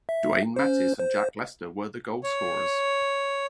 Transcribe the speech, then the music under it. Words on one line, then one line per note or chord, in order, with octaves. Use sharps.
Dwayne Mattis and Jack Lester were the goalscorers.
E5
C#4 C5
C5
C#5